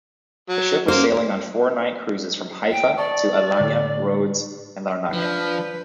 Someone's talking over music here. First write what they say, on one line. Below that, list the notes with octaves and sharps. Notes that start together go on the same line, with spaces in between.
The ship was sailing on four-night cruises from Haifa to Alanya, Rhodes and Larnaca.
F#3
A#3 C#4 C5
G5
D5 A5 C#6 D#6
A2 D3 D6
F3 D4 B4